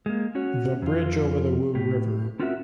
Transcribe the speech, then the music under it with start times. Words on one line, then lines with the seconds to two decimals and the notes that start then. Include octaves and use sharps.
The bridge over the Wu River.
0.06 G#3 A#3
0.35 C#4 F#4 C#5
0.82 F2 F4
1.75 A2 G4
2.39 C4 C#4 F4 F#4 A#4 E5